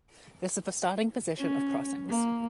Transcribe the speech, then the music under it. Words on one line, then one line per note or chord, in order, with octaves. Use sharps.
This is the starting position of Crossings.
C#4
A#3